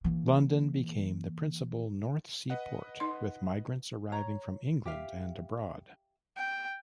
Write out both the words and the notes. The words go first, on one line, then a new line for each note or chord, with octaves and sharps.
London became the principal North Sea port, with migrants arriving from England and abroad.
E3 A#3
B4 D#5 F#5
D#4 C6
C#5 A#5
G4 E5 F5
G5